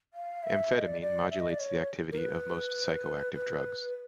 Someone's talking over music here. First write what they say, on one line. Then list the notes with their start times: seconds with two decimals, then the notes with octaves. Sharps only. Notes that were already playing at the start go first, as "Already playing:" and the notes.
Amphetamine modulates the activity of most psychoactive drugs.
0.14 F5
0.43 E5
0.73 D#5
0.87 D5
1.02 D5
1.31 E5
1.40 D#5
1.50 D5
1.59 C#5
2.12 A#4
2.18 B4
3.34 B4